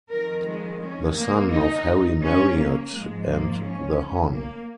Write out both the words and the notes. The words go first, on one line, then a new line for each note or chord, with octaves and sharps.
The son of Harry Marriott and The Hon.
F2 D#3 A#4
G#3
C#4
A#3
D#4
C#4
A#3
G#2 F3 G#3
A#3
C#4
A#3